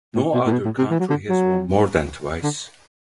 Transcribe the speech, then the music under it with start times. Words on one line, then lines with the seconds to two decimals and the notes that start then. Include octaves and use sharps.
No other country has won more than twice.
0.15 A2
0.33 B2
0.46 A2
0.52 B2
0.65 A2
0.78 C3
0.90 E3
0.99 F#3
1.10 D3
1.29 F#3
2.43 D3